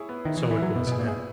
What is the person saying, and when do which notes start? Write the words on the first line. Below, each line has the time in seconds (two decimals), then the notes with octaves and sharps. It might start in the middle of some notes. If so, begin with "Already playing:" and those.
So it was now.
Already playing: E4 G#4 C#5
0.09 B3
0.25 D#3 E4
0.37 E3
0.43 B3
0.51 E3
0.58 F#3 E4
0.75 B2 B3
0.87 B2
0.92 G#4
0.99 A#2
1.08 G#4